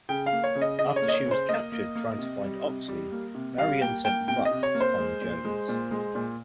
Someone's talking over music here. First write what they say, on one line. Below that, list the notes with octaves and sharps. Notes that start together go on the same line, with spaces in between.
After she was captured trying to find Oxley, Marion sent Mutt to find Jones.
C#3 G5
F5
A#3
C#5
C#3
D#5
C#3 D#5
C#5
A#3
D#5
C#5
C#3
C5
A#3 D#5
A#3
A#3
C3
G3
C3
G3
A#3
C3
G3 F5
A#3 G5
A#3 G5
C3 G5
D#5
C3
C#5
A#3
C5
G#3
A#2
G#3
A#2
G#3
A#2